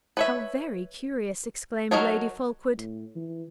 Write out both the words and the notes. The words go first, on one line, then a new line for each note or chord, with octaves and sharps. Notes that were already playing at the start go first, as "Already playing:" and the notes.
"How very curious!" exclaimed Lady Fulkeward.
B4 C#5 E5
F#3 A3 D#4 A#4 C#5
A2
E3